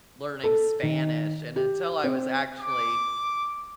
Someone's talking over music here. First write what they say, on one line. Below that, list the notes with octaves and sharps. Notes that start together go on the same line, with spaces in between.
learning Spanish, and until I was actually
A4
D#3
G4
C4
D6